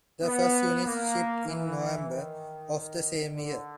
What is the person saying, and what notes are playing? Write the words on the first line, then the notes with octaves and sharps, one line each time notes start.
The first units shipped in November of the same year.
B3
A#3
E3
D#3
D3